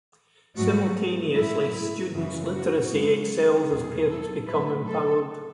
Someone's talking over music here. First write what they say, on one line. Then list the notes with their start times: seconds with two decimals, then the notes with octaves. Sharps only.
Simultaneously students' literacy excels as parents become empowered.
0.55 G#2 F#3 A3 F#4
1.34 G#2 F#3 A3 E4
2.12 F#2 C#3 E3
2.51 F#4
2.90 F#2 C#3 G#3
3.68 E2 B2 F#3 G#4
4.08 A4
4.46 A2 F#3 A3 B4
4.85 A4